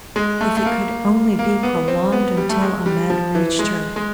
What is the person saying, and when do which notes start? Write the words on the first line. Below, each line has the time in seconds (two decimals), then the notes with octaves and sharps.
If it could only be prolonged until Ahmed reached her.
0.16 G#3
0.41 A3
0.57 A3
0.65 A#3
1.39 A#3
1.63 B3
1.88 C4
2.12 B3
2.37 G3
2.49 A3
2.61 G#3
2.86 G3
3.10 F3
3.35 E3
3.59 G#3
3.96 G#3